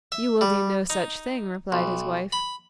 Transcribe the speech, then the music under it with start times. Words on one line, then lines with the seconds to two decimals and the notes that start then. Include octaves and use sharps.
'You will do no such thing,' replied his wife.
0.12 E5
0.41 G3
0.90 D#4
1.72 B1
2.32 B5